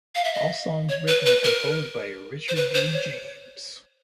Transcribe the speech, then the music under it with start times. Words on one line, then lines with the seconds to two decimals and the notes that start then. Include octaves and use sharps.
All songs written and composed by Richard D. James.
0.15 F5
0.24 E5
0.34 D#5
0.89 C#5
1.08 B4
1.26 B4
1.44 A#4
2.48 C5
2.56 B4
2.74 C5
2.93 C#5